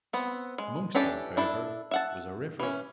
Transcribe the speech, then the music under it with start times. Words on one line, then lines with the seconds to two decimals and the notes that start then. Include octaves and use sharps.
Amongst them, however, was a Rev.
0.13 B3 C4
0.58 G#3
0.95 E3 C#4 D4 G4 A4
1.37 D4 E4 A4
1.91 E5 F#5 A5
2.59 E3 C#4